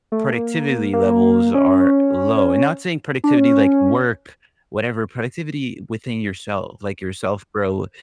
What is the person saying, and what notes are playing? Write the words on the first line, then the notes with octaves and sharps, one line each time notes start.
productivity levels are low, and not saying productivity like work, whatever, productivity within yourself, like, yourself, bro,
A3
A#3
A#3
C#4
D4
C#4